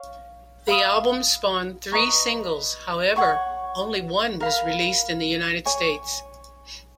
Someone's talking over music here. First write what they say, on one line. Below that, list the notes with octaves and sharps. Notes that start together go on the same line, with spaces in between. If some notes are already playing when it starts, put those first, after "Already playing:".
The album spawned three singles, however only one was released in the United States.
Already playing: C#5 F5
B4 F5 B5 D#6
B4 D#5 A#5 C#6
C#5 F#5 C#6
A#4 F5 B5
C#5 G#5 C#6